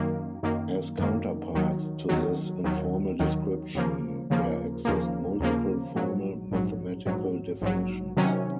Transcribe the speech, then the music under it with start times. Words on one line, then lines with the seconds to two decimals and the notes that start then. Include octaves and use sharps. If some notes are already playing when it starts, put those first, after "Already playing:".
As counterparts to this informal description, there exist multiple formal, mathematical definitions.
Already playing: F#2 D#3 A#3
0.43 F#2 D#3 A#3
0.99 F#2 D#3 A#3
1.54 D#2 D#3 F#3
2.09 D#2 D#3 F#3
2.64 D#2 D#3 F#3
3.19 D#2 D#3 F#3
3.75 D#2 C#3 F3 A#3
4.30 D#2 C#3 F3 A#3
4.85 D#2 C#3 F3 A#3
5.40 D#2 C#3 F3 A#3
5.95 A#1 G#2 F#3
6.51 A#1 G#2 F#3
7.06 A#1 G#2 F#3
7.61 A#1 G#2 F#3
8.17 C3 D#3 F#3 C#4